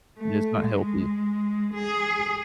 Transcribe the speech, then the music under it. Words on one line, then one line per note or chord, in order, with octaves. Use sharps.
Yeah, it's not healthy.
A3
G#3
G#4